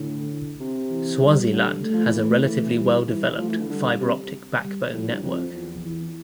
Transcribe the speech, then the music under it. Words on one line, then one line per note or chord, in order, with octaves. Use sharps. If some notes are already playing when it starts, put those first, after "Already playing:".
Swaziland has a relatively well-developed fibre optic backbone network.
Already playing: A2 D3
C3
E3
G3
D3
A3
F3
E3
A3
E3 A3
G3
E3 G3
F3 A3
E3
D3
D3 G3
C3
G3
A2 F3
G2
F2 F3
E2
E3